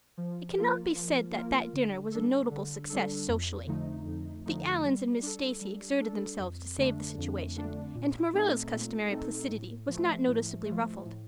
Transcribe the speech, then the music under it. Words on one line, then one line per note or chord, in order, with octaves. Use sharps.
It cannot be said that that dinner was a notable success socially. The Allans and Miss Stacy exerted themselves to save the situation and Marilla's customary placidity was not noticeably ruffled.
F3
A#3 F4 A#4
F3
A#3 F4 A#4
D3
G3 D4 A4
D3
G3 D4 A4
F2
D3 F3 A3 D#4
F2
D3 F3 A3 D#4
G3
D4 A4
G3
D4 A4
F2
D3 A3 D4
F2
D3 A3 D4
A#2
A3 C4 D#4 A4
A#2
A3 C4 D#4 A4
A2
F3
A3
A2
A3
F3
A2